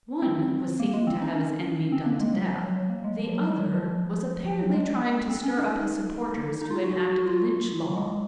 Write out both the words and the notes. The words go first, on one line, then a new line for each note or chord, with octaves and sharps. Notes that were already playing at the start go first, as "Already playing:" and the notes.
One was seeking to have his enemy done to death, the other was apparently trying to stir up his supporters to an act of "Lynch law".
C4
A#3
G#3
C4
D#4
C#4
C4
A#3
G#3
F#3
F3
F#3
F#3
A#3
G#3
F3
F#3
G#3
F#3
F3
F3
F3
F#3
G#3
C4
C#4
D#4
D#4
F4
F#4
F#4
F#4
F4
F#3
G#3